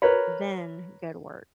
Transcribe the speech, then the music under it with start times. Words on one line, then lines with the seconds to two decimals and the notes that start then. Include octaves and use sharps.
then go to work,
0.02 A#4 B4 C#5